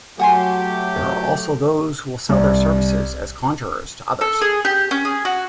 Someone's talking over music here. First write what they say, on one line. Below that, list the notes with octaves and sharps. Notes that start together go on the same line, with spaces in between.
There are also those who will sell their services as conjurers to others.
F#3 A3 F#4 G4 G#5 C6
C2
A4
G#4
G4
C#4
G#4
F#4